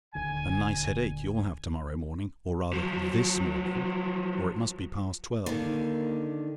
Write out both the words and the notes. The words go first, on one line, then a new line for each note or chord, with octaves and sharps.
A nice headache you'll have to-morrow morning--or rather THIS morning; for it must be past twelve.
D#1 D2 D3 G#5
F3 F#3
D3 D#3 A#3